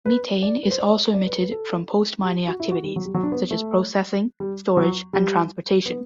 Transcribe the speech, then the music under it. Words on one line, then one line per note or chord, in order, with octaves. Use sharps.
Methane is also emitted from post-mining activities such as processing, storage and transportation.
B4
D5
B4
C5
D5
D5
B4
B4
A4
G4
F#4
E4
F#4
G3
F#3
G3
F#3
D4
B3
A3
G3
F#3
G3
B3